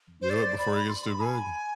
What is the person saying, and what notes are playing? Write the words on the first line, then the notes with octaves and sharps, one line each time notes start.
Do it before he gets too big.
C5
D5
B5
C6
B5
B5
G#5